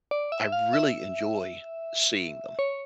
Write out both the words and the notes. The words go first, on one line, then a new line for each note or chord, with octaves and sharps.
I really enjoy seeing them.
D5
E5
F5
E5
C#5